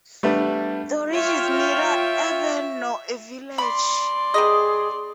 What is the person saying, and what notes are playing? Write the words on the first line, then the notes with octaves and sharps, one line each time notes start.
Dorridge is neither urban nor a village.
G3 A3 B3 D4
F4 C#5 E5 G5
D5 B5 C6
C3 G#4 B4 D#5